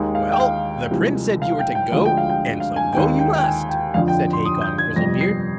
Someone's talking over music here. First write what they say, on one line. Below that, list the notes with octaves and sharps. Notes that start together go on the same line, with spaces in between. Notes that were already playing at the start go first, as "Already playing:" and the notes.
'Well, the Prince said you were to go, and so go you must', said Hacon Grizzlebeard.
Already playing: D#2 D#3 G#3
F5
G5
F5
C2 C3 F3 G#3
F5
G5
G5
D2 D3 F3 G#3 F5
G5
F5
G5
F5
G#5
D#2 D#3 G#3 G5
G5
G5
G#5
G5
F2 D3 F3 F5
G5
C6
D#6
G6
G#6
G1 F2 C3 G3 A#6
C7